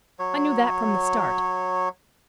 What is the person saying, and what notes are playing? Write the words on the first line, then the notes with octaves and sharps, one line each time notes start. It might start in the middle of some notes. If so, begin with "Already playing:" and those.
I knew that from the start.
F#3 C#5